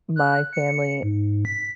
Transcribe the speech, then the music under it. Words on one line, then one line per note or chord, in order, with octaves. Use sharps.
my family
F#6
C#7
G#2
B6